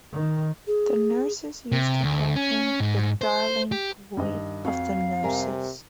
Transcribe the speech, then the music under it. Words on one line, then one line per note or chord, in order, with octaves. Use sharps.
The nurses used to call him ""The darling boy of the Nurses"".
D#3
G#4
C3
D2
C#4
G#2
C5
G4
G2 D#3 D#5
F2 F#4 F5
C3 G3 A#4 G#5